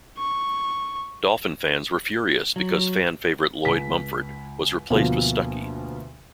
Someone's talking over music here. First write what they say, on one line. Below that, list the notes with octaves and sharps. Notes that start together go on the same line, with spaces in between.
Dolphin fans were furious because fan favorite Lloyd Mumphord was replaced with Stuckey.
C#6
F#3
C#2 B6
D2 B2 F3 A#3 B3